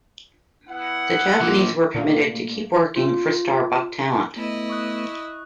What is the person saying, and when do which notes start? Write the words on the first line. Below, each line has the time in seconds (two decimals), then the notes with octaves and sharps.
The Japanese were permitted to keep working for Starbuck-Talent.
0.69 B3 E4 F#5
1.41 F3 A#3
1.94 A#2 D3 A3 A#3
2.96 F4
4.36 A3 B3 E4 D#5
4.70 C#6 D#6 F#6